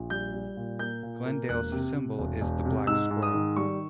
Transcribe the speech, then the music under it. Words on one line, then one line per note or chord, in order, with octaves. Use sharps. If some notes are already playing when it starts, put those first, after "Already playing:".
Glendale's symbol is the black squirrel.
Already playing: A#1
G3 G6
G3
A#2
A#3 G6
A#2
A#3
E1 F#6
C3
C3
E1
E1
C3
G#2 E6
G#2
D#6
D#3
G3 C#6